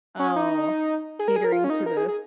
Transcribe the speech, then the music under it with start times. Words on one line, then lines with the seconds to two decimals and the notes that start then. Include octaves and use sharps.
Oh, catering to the
0.19 C#4
0.36 D#4
1.19 G#4
1.28 A#4
1.36 G#4
1.44 A#4
1.52 F4
1.64 C#4
1.70 D#4
1.86 A#4
1.97 G#4
2.08 G#4